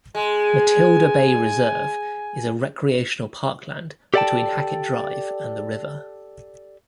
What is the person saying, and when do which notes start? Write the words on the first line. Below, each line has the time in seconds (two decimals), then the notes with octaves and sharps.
Matilda Bay Reserve is a recreational parkland between Hackett Drive and the river.
0.15 G#3 G#5
4.14 G4 A4 D5 F5 G5 A5